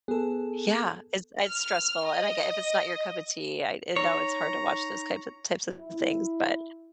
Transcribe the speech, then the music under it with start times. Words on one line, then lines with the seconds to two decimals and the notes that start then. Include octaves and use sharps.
yeah, it's it's stressful, and I get if it's not your cup of tea, I I know it's hard to watch those types of types of things, but
0.08 B3 G#4 A4
1.46 F6
2.06 D#5
3.96 D#4 C#5 A#5
5.78 E4